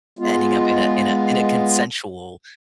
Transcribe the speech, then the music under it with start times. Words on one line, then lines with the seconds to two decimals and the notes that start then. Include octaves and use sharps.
ending up in a in a in a consensual,
0.19 G#3 B3 F4